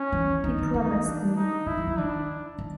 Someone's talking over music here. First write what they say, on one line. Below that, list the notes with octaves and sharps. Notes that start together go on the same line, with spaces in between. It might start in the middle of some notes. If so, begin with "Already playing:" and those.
He promised me.
Already playing: C#4
E3
D#3 D#4
D3
E3 D#4
D4
D#4
D#3 E4
E3
F3
D#3 D4
D#3